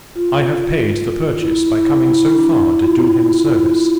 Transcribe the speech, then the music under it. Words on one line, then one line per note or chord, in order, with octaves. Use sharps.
I have paid the purchase, by coming so far to do him a service.
F4
E4
E4
E4
D4
E4
F4
E4
F4
E4
F4
E4